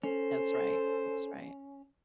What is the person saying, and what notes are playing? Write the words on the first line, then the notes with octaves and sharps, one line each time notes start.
That's right, that's right.
C#4 A4 C5